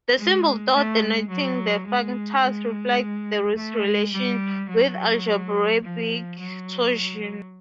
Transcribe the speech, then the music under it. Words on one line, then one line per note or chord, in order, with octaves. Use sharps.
The symbol Tor denoting the functors reflects this relation with the algebraic torsion.
G#3
A3
G#3
F#3
G#3
G#3
A3
G#3
G3
F#3
F3
F#3